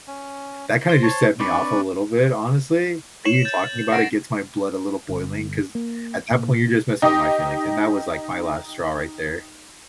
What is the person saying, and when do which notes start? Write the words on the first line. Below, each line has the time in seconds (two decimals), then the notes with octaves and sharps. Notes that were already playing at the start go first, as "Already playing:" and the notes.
that kinda just set me off a little bit, honestly. Even talking about it gets my blood a little boiling, 'cause at that point, you're just messing with my feelings, and that was, like, my last straw right there.
0.07 C#4
0.89 C5
1.03 C#5 A5
1.40 C4 D4 B4 D5 C#6
3.25 C#5 E7 F#7
3.45 G6 A6
3.92 D#3 F#5 A#6 C7 D7
5.09 G1
5.75 A#3
6.31 A#2
7.02 D#4 G4 D#5